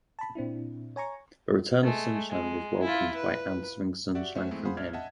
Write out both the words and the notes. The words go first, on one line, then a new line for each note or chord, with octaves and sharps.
The return of sunshine was welcomed by answering sunshine from him.
A5 B5
A#2 C4 D4 E4
C#5 G#5 A#5 C#6
G#3 A3
G#3
E4 F4
B4
F#4 G4 D5 E5 F#5
A3 C#4 F#4 C5 E5 F#5
E3 G#3 A3 B3 C4
G#4 C5 F5 F#5 B5 C6
A#1 D5 E5 F6 G#6
D#5 E5 F#5 A5